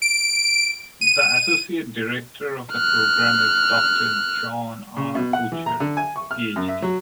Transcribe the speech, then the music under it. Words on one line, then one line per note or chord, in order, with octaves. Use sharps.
The Associate Director of the Program is Doctor John R. Bucher, Ph.D.
D7
D#7
F6 F#6
C#3
B2
F#5
E3
A#5
D3
G#5
C#6
F6
F#2
E5
F#3